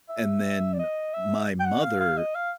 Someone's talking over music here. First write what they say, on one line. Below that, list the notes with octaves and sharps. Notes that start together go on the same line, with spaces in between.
And then my mother
E5
D5
D#5
E5
G5
F#5
F5
F5
D#5
F5